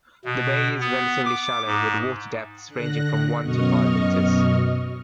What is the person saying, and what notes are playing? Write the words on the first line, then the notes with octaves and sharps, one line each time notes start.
The bay is relatively shallow, with water depths ranging from one to five meters.
B2
B3
D6
G#2
D3 F#6 A#6
F#2 B2 D#5 C#6 D#6 F6